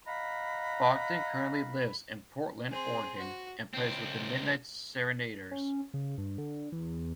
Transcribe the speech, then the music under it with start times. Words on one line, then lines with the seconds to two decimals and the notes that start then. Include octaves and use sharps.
Bogdan currently lives in Portland, Oregon and plays with the Midnight Serenaders.
0.06 D#5 F5 F#5 A#5 B5
2.71 C4 G#4
3.19 F#4
3.74 C#2 C4
5.51 C#4
5.94 C#3
6.18 G2
6.38 D3
6.72 E2